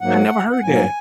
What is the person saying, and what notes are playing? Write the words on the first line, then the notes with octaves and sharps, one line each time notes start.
I never heard that.
G#2 F#3 A#3 F#5
F#5
G#2 F#3 A#3 G#5